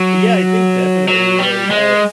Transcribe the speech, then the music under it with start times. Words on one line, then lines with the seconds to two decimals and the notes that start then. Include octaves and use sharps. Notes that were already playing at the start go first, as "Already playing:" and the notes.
Yeah, I think definitely. Like, I
Already playing: F#3
1.08 F#3
1.39 G3
1.71 G#3